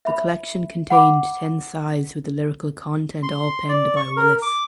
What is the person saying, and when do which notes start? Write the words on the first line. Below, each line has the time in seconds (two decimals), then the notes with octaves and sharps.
The collection contained ten sides with the lyrical content all penned by Willis.
0.05 E5 B5
0.90 F#5 B5 D6
3.23 C6
3.69 D5
3.96 C#6
4.17 A#4
4.42 D6